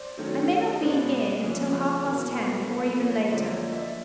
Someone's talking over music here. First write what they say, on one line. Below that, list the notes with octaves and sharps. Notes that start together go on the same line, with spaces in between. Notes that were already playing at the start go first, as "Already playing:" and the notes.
I may not be in until half-past ten, or even later.
Already playing: C5 D5
D#3 F#3 A3 C#4
D#5
B2 G#3 B3 D4 C5 D5
F2 C#3 F3 G#3 C#4
E2 B2 F#3 A#3 A#4 C5
A4 B4
A#2 F3 A3 C4 A4 B4
B4 C#5
F#2 D3 F3 A#3 C5 D5
C#5 D#5
D5 E5